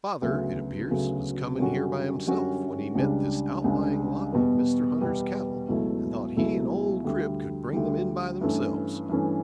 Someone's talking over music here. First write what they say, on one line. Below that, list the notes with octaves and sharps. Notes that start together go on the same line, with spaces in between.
Father, it appears, was coming here by himself when he met this outlying lot of Mr. Hunter's cattle, and thought he and old Crib could bring them in by themselves.
D2 C#3 F#3 B3
D2 C#3 F#3 B3
F#2 D3 G3 C#4 F#4
F#2 D3 G3 C#4 F#4
C#2 C#3 G3 D4
C#2 C#3 G3 D4
E2 B2 G3 B3
E2 B2 G3 B3
C#2 B2 F#3 A3 E4
C#2 B2 F#3 A3 E4
D2 D3 G3
D2 D3 G3
G2 E3 A3 C#4
G2 E3 A3 C#4